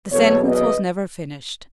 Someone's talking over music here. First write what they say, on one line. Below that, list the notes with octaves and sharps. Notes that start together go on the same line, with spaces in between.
The sentence was never finished.
E2 B2 F#3 B3 A4 C#5
B4 D#5